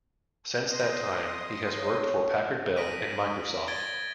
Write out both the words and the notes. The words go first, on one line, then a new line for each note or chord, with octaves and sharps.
Since that time he has worked for Packard Bell and Microsoft.
D#5 C6 D#6
C#5
D#6 A#6 B6 D7 D#7
G#6 A6 D7 G7